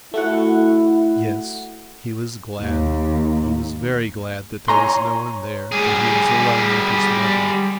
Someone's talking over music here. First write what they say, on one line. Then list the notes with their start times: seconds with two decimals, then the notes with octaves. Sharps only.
Yes, he was glad, he was very glad that there was no one there, that he was alone with his mother.
0.14 A3 E4 F#4 F#5
2.60 D#2
4.68 C#5 G#5 A#5 C6
5.72 G3 G#4